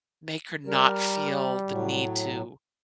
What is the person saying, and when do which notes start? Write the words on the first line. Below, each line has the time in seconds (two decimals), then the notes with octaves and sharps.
make her not feel the need to
0.67 G3 A#4
1.68 A2 F#3